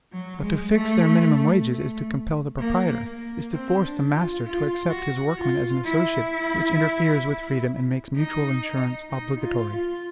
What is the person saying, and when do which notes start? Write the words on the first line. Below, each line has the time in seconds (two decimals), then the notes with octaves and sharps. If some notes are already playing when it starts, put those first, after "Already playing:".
But to fix their minimum wages is to compel the proprietor, is to force the master to accept his workman as an associate, which interferes with freedom and makes mutual insurance obligatory.
0.12 F#3
0.42 G#3
0.73 A3
1.66 A3
2.59 A#3
3.06 A#3
3.52 C4
3.83 D4
4.14 F4
4.45 F4
4.91 F#4
5.38 F4
5.84 E4
8.17 D#4
9.09 D#4
9.40 F4
9.71 F4